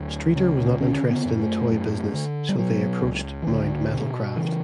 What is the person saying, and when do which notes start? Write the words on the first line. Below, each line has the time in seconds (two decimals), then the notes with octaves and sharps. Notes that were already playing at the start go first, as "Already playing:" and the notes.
Streater was not interested in the toy business so they approached Mound Metalcraft.
Already playing: D2 F#3
0.35 C#3
0.80 D3 C#4
1.10 B3
1.25 F#2
1.40 A3
1.69 F#2
2.14 D3
2.49 G3
2.58 B2 F#3
3.03 C#2
3.42 E3
3.47 C#2 D3
3.93 B2
4.36 C#3 E3